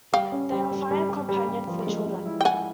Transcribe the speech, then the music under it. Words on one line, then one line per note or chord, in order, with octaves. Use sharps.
They are fine companion for children.
G3 F5 G5
C#4
G3
G3
G3
G3
G3
G3
F3
G#3
G#3
E4
G5
E4 F#5 G#5